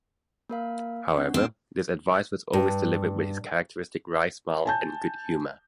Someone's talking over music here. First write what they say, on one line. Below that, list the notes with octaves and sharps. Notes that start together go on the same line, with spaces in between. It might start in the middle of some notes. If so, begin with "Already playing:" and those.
However, this advice was always delivered with his characteristic wry smile and good humour.
A#3 A#4 F5
C4 D4 F#5
B3 C4
G2
G#5 A5 G6